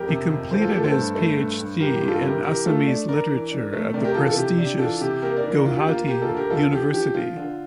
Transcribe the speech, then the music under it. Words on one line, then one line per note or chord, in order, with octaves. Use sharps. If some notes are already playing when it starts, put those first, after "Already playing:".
He completed his PhD in Assamese literature at the prestigious Gauhati University.
Already playing: F2 G4 A#4
C3
F2
E3 A4 C5
F4 A4
G4
A3 F4 A4
A4 C5
G2
A3
G2
G2
E3 G4 A#4
G4
G2
F4 A4
C3 G4 A#4
E3 G4 A#4
A3 F4 A4
D4
D4 A#4 D5
E3
D4
A3
C3 A#4 D5
G4 A#4
E3 F4 A4
F4 A4
C3 G4
D4 G4
E3 F4 A4
C3 G4
A#3 G4 A#4
A#4 D5
E3
A#4 D5
D2 F4
G4
A#3 F4
A#3 G4
F4 A4
D2
G4 A#4
D2 F4 A4
F3 G4
F3 G4
F3 F4
D3